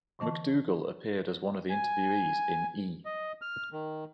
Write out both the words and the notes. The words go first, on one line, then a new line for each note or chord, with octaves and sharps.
McDougal appeared as one of the interviewees in E!
D3 E3 D#5 A5 C#6
G#5
D#5
F6
D#3